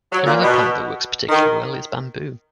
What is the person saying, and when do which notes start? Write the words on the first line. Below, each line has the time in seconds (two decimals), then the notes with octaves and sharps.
Another plant that works particularly well is bamboo.
0.12 F#3
0.26 A#2
0.42 B2
1.29 D#3